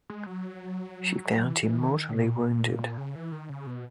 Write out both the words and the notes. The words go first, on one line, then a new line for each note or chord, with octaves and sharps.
She found him mortally wounded.
G#3
F#3
E3
E3
D#3
D#3
B2
A#2
C#3
E3
D#3
C#3
B2